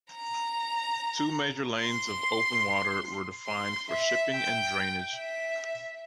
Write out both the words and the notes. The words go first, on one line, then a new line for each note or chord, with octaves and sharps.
Two major lanes of open water were defined for shipping and drainage.
A#5
C6
C6
E5
G5
E5